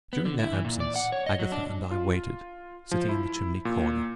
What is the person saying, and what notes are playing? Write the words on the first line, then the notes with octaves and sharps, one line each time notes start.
During their absence Agatha and I waited, sitting in the chimney corner.
B3
D3
E4
E3
A#2
D5
F#5
C#5
D#5
F#3
D4
F4
F3
E4
A#2